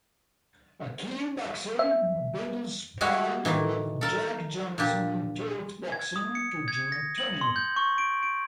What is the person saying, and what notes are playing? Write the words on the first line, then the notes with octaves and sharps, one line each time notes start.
A keen boxer, Biddle sparred with Jack Johnson and taught boxing to Gene Tunney.
E5
G3 G#3 E4 F#4
A2 D#3 E3
A4 A#4 A5
A#2 D4 G4
G#6
D#6
C#7
G#6
A#6
F#7
C6
G6
C#6
D7
D7